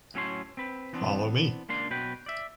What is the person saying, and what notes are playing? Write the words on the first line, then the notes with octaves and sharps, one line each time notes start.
Follow me.
A2 F#3 C#4 A4 C#5 C6
C4 B4
E3 B3 C4 D4
C#2 A#3 D4 C6
B2 F#3 B4 G5
D5 E5